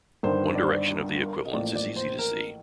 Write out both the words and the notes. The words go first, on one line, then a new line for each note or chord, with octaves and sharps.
One direction of the equivalence is easy to see.
G1 G2 D#3 C5
D5
C5
D5
D5
A#4
D#5
A1 A2 F3 A#3 D5
D5
C5
A#4